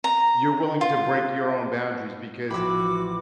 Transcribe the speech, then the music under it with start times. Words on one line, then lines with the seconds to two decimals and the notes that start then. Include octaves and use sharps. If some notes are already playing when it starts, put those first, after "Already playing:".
you're willing to break your own boundaries because
0.04 A#5
0.81 F4
2.51 A1 F3 F#4 B5 D6 E6